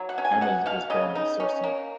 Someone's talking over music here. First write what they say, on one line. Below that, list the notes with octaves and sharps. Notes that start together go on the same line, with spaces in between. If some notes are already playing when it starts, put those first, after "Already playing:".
Arnold was born in Sursee.
Already playing: F#3
F#5
C#4
G#5
B2 F#5
B2 F5
C#3 D#5
D#4
C#4
A#3